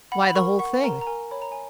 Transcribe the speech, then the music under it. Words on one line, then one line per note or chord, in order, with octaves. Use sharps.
Why, the whole thing!
F#5 B5
B5
A#4 C#6
F#5 C#6
A#4 A#5
A#5
A#4 G#5
C#5 B5
A#5
G#5